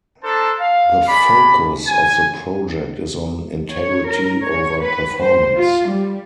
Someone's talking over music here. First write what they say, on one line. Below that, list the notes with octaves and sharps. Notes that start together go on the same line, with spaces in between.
The focus of the project is on integrity over performance.
D4 A4 A#4 C5 A5
F5
G#3 D5 B5
G#5
C#5
A#4
C#5
B4
C5
F4
G3